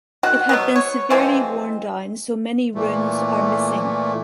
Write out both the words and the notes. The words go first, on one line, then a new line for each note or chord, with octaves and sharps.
It had been severely worn down so many runes are missing.
D#3 F#4 F#5
B2 F#3 B3
C#5
E3 F3 G#3 C4
A#2 E3 A3